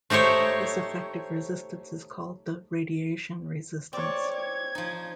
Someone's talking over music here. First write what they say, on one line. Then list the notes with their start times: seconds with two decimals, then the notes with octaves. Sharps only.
This effective resistance is called the radiation resistance.
0.10 A3 D#4 G4 C5 C#5
3.93 C4 C#5 D5
4.37 G#6
4.75 F3 D#4